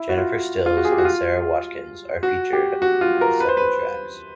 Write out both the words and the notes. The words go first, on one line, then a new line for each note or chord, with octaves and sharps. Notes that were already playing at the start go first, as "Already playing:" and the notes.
Jennifer Stills and Sara Watkins are featured on several tracks.
Already playing: E4
F#4
F4
F4
F#4
G#4
G4
F#4
F4
F#4
G4
F#4
F4
A#4
B4
C5
B4